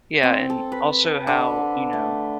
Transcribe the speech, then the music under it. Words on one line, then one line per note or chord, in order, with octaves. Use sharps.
Yeah, and also how, you know,
C4
A4
B4
D3
A3